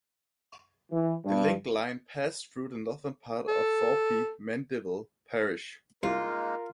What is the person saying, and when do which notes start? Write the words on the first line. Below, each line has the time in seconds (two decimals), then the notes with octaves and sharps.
The link line passed through the northern part of Thorpe Mandeville parish.
0.92 E3
1.25 G2
3.48 A4
6.03 C2 G#3 A#3 D#4 F4 A#4